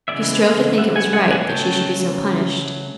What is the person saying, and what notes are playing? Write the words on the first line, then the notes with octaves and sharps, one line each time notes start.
She strove to think it was right that she should be so punished.
C#3 E3 G#3 B3 D5 E5
D#5 F5
E5 F#5
F#5 G#5
F#5 G#5
F#5 G#5
C#3 F#3 A3 C#4 G5 A5